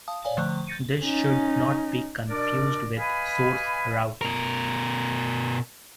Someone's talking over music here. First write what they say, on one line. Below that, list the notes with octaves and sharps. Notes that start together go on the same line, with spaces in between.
This should not be confused with source routing.
F5 A5 D#6
C#5 D5 F5 G#5
D3 F3 A3 C5 C#6 F#6
G6 A6 A#6 C#7 D#7
C#4 D#4
B2 D4 A#4 D5
B4 D#5 F5 G#5 B5
B2 A#4